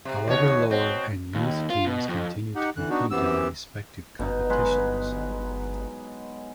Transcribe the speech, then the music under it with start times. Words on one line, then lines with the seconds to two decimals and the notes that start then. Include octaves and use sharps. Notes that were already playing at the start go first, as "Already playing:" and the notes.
However lower and youth teams continued to compete in their respective competitions.
0.05 C3
0.28 D#2 B2 C#5
0.70 B2 C4
1.35 D#2
1.70 F4
1.87 B2
2.08 F2
2.56 D#4 G4 F#5
2.76 D3 E3 F#6
2.90 B3 D4 D#4 F#4
3.11 F#2 E3 B3 C4 G4 E6
4.19 G1 B2 D#4
4.49 F#3 G#3 B4